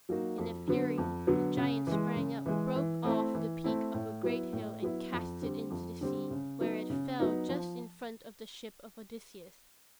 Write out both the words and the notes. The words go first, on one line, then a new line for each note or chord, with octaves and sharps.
In a fury the giant sprang up, broke off the peak of a great hill and cast it into the sea, where it fell just in front of the ship of Odysseus.
F#3 A#3 D#4 F#4
F2
D3 F#3 B3
F2
D3 F#3 B3
C#3
E3 G#3
C#3
E3 G#3
E3
A3 C4 E4
E3
A3 C4 E4
A2
F#3 B3 E4
A2
F#3 B3 E4
F2
D3 G3 C4
F2
D3 G3 C4
C#3
F#3 B3 D#4
C#3
F#3 B3 D#4
F3